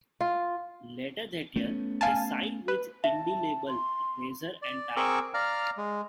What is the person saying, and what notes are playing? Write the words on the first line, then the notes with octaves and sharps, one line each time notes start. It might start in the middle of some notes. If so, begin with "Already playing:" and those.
Later that year, he signed with indie label Razor and Tie.
F4
A3 B3 C#4
F5 G#5 A5
B4
E5 A5
C6
D5
C4 G#4 A#4 C#6 D6 E6
D5 F5 A#5 F6
G#3